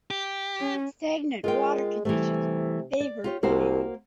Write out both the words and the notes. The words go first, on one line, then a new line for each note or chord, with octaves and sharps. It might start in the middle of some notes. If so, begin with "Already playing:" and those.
Stagnant water conditions favour pitting.
G4
C#4
G#3 F4 A#4 G5
C3 E3 G3 A3
D5
F4 G4 C#5
C2 A#3 F#4 C5